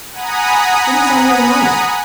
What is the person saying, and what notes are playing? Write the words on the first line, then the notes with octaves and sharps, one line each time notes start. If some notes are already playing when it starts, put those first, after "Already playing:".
What is on your mind?
F#5 G#5 A#5 B5 D#6